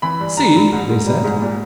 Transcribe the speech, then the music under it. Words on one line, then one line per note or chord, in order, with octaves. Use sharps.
"See!" they said.
E3 B5
G2
G2 A#5
G2
G#2
G#2
G3
G#2
A#2